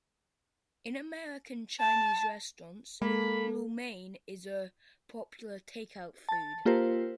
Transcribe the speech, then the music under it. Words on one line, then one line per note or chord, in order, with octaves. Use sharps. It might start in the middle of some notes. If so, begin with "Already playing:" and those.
In American Chinese restaurants, lo mein is a popular take-out food.
A5
G#3 A#3 A4 B5
A5 A6
A#3 F4 G4 A#4 C5